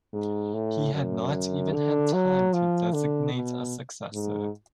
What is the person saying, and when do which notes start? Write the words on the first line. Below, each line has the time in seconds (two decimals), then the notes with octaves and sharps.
He had not even had time to designate a successor.
0.13 G#2
0.54 A2
0.93 F#2
1.73 D3
2.13 F#3
2.53 F3
2.93 D3
3.33 B2
4.13 G#2